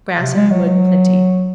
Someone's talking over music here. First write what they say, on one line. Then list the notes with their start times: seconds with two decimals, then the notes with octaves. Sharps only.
Grass and wood plenty.
0.20 C3
0.36 G#3
0.51 F#3
0.66 F#3